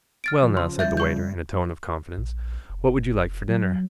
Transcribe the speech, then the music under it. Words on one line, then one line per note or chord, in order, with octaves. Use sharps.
'Well now,' said the waiter, in a tone of confidence, 'what would you like for dinner?
F6 A6 D7
C#3 F3
C6
G3 E5 G6 A6
C#6 G6
A#1
F1
F#3